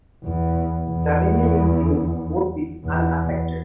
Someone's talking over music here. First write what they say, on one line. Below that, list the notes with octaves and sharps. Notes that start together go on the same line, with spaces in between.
The remaining teams would be unaffected.
E2
E2
E2